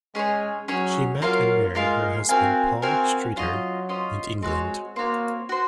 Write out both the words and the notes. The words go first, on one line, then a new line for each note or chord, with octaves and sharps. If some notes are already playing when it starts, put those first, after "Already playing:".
She met and married her husband Paul Streeter in England.
G#3 C#4 G#4 C#5
F#3 C#4 G#4 C#5
F#3 A#3 F4 A#4 F5
G#3 A#3 F4 A#4 F5
C4 F#4 A#4 F5 G#5
C4 F#4 A#4 F5 G#5
F#3 C#4 F4 C5 D#5
C#4 F4 C5 D#5
G#3 C4 F#4 C#5
A#3 C4 F#4 C#5
F#4 C5